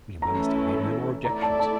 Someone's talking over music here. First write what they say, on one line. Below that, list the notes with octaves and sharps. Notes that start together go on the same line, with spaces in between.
William Bannister made no more objections.
E3 A3 C#4 E4 A4 A#5
A3 E4 A4 D5 A#5
A5
A5